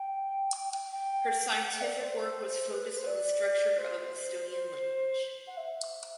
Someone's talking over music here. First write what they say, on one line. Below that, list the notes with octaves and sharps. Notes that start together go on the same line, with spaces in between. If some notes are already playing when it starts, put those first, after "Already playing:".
Her scientific work was focused on the structure of Estonian language.
Already playing: G5
G5
G5
G5
F#5
D5
C5
B4
C5
D5
C5
C5
F#5
E5